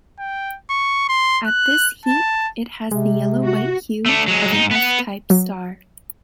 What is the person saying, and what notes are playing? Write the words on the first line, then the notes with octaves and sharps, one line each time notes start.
At this heat, it has the yellow-white hue of an F-type star.
G5
C#6
C6
F#6
A5
C3 G#3
F#4
A3 D4
F#3 G#3
G#2 D#4
B3 F#5
F#3